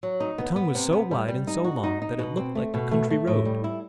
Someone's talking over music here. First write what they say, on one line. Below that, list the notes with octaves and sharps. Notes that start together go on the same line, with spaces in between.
The tongue was so wide and so long that it looked like a country road.
F#3
D#4
B3
B3
C3
B3
G3
G3
D#4
F#4
D#4
D#4
B2
C4
A3
B2
A3
A3
A2
G3
E4